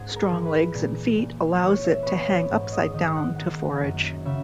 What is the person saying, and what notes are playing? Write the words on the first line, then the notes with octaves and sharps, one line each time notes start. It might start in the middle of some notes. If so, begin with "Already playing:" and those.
Strong legs and feet allows it to hang upside down to forage.
Already playing: G#2 G#4
A#4
E3
B4
A#2
A#2
E3 C#5
E5
B3 B4 C#5
B4
G#2
D#5
D#3 D#5
F#5
A#3 F#5
F#2
C#3 E5